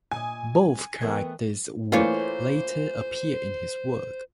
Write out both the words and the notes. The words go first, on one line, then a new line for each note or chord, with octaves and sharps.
Both characters would later appear in his work.
A#2 D#5 G#5
E3 A3 B3 C4 A#4 G#6
E3 A3 A#3 F4 C5 C#5